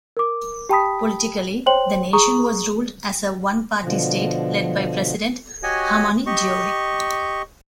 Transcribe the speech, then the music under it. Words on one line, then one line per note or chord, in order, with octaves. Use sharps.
Politically, the nation was ruled as a one-party state led by president Hamani Diori.
A#4 D6
G4 G5 A5 B5 D#6 B6
C5 C#5 G5 C6 F#7
G#4 A#5 C#6 D#6
B2 D3 F3
F#4 G4 C#5 D#5 F#5 G#5
G4 D#5 C#6